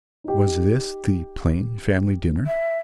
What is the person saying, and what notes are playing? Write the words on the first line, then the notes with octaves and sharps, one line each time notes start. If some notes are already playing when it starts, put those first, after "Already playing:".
Was this the plain family dinner?
D#4 G4
E5